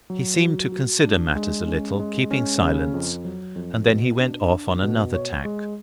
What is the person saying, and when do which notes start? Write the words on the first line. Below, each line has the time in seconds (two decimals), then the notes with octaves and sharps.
He seemed to consider matters a little, keeping silence, and then he went off on another tack.
0.10 F#3
0.41 F#4
0.72 F#4
1.04 D4
1.36 G#3
1.68 C#4
1.99 G#3
2.31 C#4
2.62 C#3
2.94 F2
3.25 F#3
3.56 F2
3.87 B2
4.19 D4
4.50 D4
4.82 B2
5.14 C#5
5.45 G#3